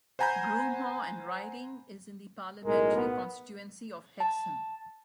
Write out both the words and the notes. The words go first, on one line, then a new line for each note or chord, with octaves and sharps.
Broomhaugh and Riding is in the parliamentary constituency of Hexham.
C5 F#5 G#5 A#5 B5 G6
B1 A2 G#3 A#4
B3
A5